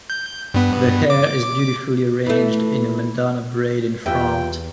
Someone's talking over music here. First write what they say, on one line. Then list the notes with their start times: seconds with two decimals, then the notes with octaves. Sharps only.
The hair is beautifully arranged in a Madonna braid in front.
0.10 G6
0.54 G2 B3
1.10 D6
2.26 E3 A3
4.06 E2 F4 G4 B4 E5 G5